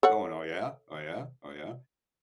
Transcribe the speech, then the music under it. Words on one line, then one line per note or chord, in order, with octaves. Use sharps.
going, "Oh, yeah, oh, yeah, oh, yeah."
A4 C#5 F#5